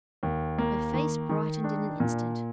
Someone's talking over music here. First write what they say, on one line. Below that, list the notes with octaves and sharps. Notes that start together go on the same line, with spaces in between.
Her face brightened in an instant.
D#2
A#3
D#3
D#3
D4
A#2